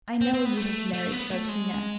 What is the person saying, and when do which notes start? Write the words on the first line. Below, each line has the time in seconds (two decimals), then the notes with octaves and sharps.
I know you have married Troutina.
0.21 C4
0.34 C4
0.45 B3
0.57 A3
0.93 A3
1.12 B3
1.30 A3
1.49 G#3